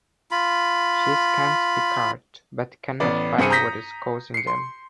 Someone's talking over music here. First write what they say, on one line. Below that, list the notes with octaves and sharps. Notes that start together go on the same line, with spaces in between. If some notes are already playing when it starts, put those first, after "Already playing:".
She scans Picard, but can not find what is causing them.
F4 B5
A1 B3 D5
G2 C4 G#4 C#7 D#7
A#5 D#6 G6 A#6 B6
C7 C#7
C6